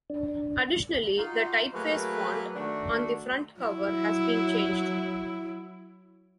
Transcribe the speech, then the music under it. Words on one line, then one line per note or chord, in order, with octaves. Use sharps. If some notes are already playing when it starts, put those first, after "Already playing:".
Additionally, the typeface font on the front cover has been changed.
D4
D#4 F4 F#4
F#3 A3 A#3 G#4 B4
D#3 A3 D4 F#4
F#3 E4